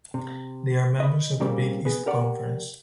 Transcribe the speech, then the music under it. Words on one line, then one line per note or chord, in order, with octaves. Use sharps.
They are members of the Big East Conference.
C3
D#5 B5
A#2 C#3 G3 A#3 C4
B3 G#4
G4 A#4 D5 F#5